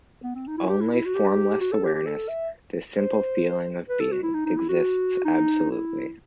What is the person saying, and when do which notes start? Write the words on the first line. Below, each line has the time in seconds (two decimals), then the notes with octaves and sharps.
Only formless awareness, "the simple feeling of being", exists absolutely.
0.23 B3
0.35 C4
0.47 D#4
0.58 E4
0.69 G4
0.81 E4
0.93 E4
1.05 F#4
1.15 G4
1.60 F#4
1.72 A4
1.84 G4
1.95 G4
2.06 A4
2.29 E5
2.97 C5
3.89 B4
4.00 A4
4.12 F#4
4.23 E4
4.34 D#4
4.46 D#4
4.57 E4
4.69 F#4
5.25 D#4
5.71 E4